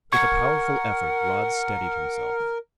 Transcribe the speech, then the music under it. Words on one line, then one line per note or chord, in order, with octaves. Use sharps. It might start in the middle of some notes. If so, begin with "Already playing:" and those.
With a powerful effort Rod steadied himself.
A#4 F#5 C#6 G#6